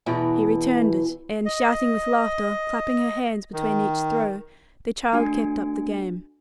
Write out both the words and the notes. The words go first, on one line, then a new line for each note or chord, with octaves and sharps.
He returned it, and, shouting with laughter, clapping her hands between each throw, the child kept up the game.
E2 B2 E3
D#5
D#3
A3 D4 F#4 G#5